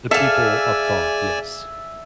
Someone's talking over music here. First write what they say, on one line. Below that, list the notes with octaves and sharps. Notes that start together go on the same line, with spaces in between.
The people up top, yes.
G#4 A4 D5 E5 F5 G#5 E6